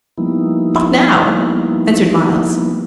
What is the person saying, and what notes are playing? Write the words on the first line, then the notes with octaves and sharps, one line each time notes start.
"Not now," answered Myles.
F3 G3 A#3 B3 D#4 E4